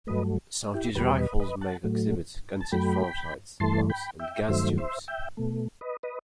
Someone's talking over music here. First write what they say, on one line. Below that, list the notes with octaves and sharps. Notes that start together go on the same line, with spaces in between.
Some of these rifles may exhibit canted front sight blocks and gas tubes.
G2 F#3 A3 B4 D#5
E4 G4
E2 B2 G3 G4 B4
B4 D#5
B4 D#5
F#5 A5
A2 F#3 A3
A5
F#2 F#3 A3 G5 B5
G2 E3 A3 A5 C6
G5 B5
E5 G5
G2 D#3 F#3 A3 C5 E5
C5 E5
E5 G5
B2 A3
B4 D#5
B4 D#5